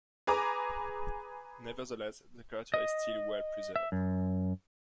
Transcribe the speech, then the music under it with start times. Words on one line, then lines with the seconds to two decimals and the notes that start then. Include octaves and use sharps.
Nevertheless, the crater is still well-preserved.
0.27 G#4 B4 G#5 A#5 D6
2.74 D#5
3.76 E5
3.92 F#2